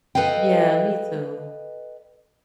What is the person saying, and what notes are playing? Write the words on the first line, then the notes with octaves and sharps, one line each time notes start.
Yeah, me, too.
A4 B4 D#5 F5 G5